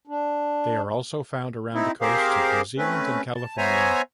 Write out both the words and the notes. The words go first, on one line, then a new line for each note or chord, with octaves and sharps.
They are also found around the coasts of New Zealand and California.
D4
C4 D#4 E4
C4 G4 G#4 A#4 C5 F5
A3 C4 C#4 B4
A5
B3 C5 C#5 E5 G#5 A#5